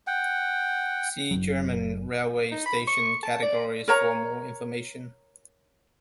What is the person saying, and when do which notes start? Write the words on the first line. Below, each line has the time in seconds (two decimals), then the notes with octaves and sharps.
See German railway station categories for more information.
0.07 F#5 G5
1.31 F#1 B1 F#3
2.51 D#4
2.66 B5
2.87 C#6
3.23 A5
3.42 D5
3.88 A#4 C#5 A#5